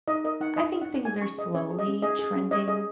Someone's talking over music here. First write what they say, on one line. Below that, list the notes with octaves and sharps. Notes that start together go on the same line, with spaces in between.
I think things are slowly trending
D#4 D#5
A#4 D#5
D#4 F#5
D#4 D#5
C#5
F#5
D#4
G#4 G#5
C#4 C#6
G#4 D#5
C#4 C#5
G#4
D#5
C#4
G#4 D#5
G#4
C#4
C#5 D#5
G#4 D#5